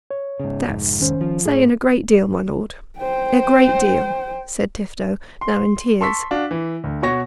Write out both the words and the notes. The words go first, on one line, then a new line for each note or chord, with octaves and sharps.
"That's saying a great deal, my Lord,--a great deal," said Tifto, now in tears.
C#5
G#2 C#3
F1 G#2
D#3 C#4 C5
F3
A2 G#4 C#5
C5 G5
C6
A5 C6 C#6 E6 B6
D4 F#4 F5
E3
D2
B2 F#4 C#5 C#6 A#6